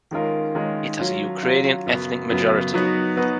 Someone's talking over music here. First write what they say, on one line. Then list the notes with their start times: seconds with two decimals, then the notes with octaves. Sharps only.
It has a Ukrainian ethnic majority.
0.11 D#3 G#3 C#4 F4 A#4
0.55 D#3 G#3 C#4 F4 A#4
0.99 F#3 C#4 F4
1.43 F#3 C#4 F4
1.86 F#2 C#3 F#3 B3
2.30 F#2 C#3 F#3 B3
2.74 F#3 B3 D#4 F#4 B4
3.17 F#3 B3 D#4 F#4 B4